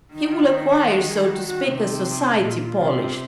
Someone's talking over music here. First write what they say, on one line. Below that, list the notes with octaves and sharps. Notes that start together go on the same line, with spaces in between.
He will acquire, so to speak, a society polish....
D#3 D#4
F4
D#4
F#4
G#4
F#4
F#4
C3 D#4
A#2 F4
C3